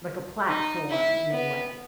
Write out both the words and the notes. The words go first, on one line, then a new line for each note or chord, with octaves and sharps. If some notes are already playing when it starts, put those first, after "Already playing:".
like, a platform in a way,
D#4
E4
B3